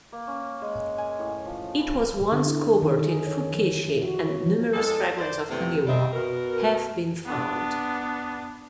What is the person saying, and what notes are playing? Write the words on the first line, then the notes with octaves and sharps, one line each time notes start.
It was once covered in "fukiishi" and numerous fragments of "haniwa" have been found.
A#3
C#4
G#3
G#5
A2
F3
B5
D3
E4
D#3
G#4
C#5
F3
E4
F#4
C#5
F3
E2 G#3 A4
C5 D5
C3 E3 A3 B3
G3 C4 D#5 E5
B2 A#4
B3 D4